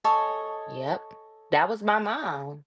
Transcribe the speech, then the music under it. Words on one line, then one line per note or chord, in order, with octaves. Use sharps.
Yep, that was my mom.
A4 C#5 D#5 G#5